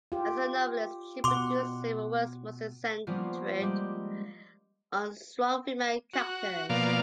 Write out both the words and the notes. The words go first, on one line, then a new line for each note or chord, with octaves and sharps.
As a novelist, she produced several works mostly centred on strong female characters.
F4 G4
B2 F#5 C6 D6
F3 G3 A#3 B3 C#4 F4
G3 G#3 A#3 G4
F#4
B2 F3 A#3 D5 F5